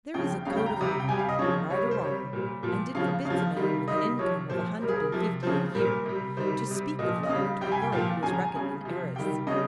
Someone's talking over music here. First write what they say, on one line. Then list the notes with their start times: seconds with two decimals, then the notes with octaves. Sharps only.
There is a code of honour, right or wrong, and it forbids a man with an income of a hundred and fifty a year to speak of love to a girl who is reckoned an heiress.
0.14 C#3 F3 G5
0.30 G5
0.45 C#3 G3 F5
0.57 G5
0.66 A#5
0.76 C3 G3 A#5
1.00 G5
1.08 C3 G3 G#5
1.19 F5
1.29 D#5
1.39 C#3 F3 C#5
1.70 C3 G3 C#5
1.82 A#4
1.91 C5
2.01 C3 G3 C#5
2.33 A#2 G3
2.63 A#2 F3
2.95 C#3 F3 F5
3.25 C#3 F3 F5
3.56 C3 D#3 G3
3.88 C3 D#3 G3 D#5
4.19 C3 F3 C#5
4.50 A#2 F3 C5
4.81 C3 G3 A#4
4.89 G#4
4.96 A#4
5.12 C3 F3
5.43 C#3 F3 C5
5.75 A#2 G3 A#4
6.05 C3 G3
6.37 C3 D#3 G3 C5
6.68 C3 G3
6.99 A#2 F3 D#5
7.23 D#5
7.29 C#3 F5
7.35 G3
7.61 C3 G3 G5
7.72 G#5
7.82 G5
7.92 A#2 F3 F5
8.23 C#3 F3 G#5
8.33 A#5
8.44 G#5
8.54 C#3 G3
8.85 C3 F3
9.16 C3 D#3 G3 G5
9.47 C#3 G3 D#5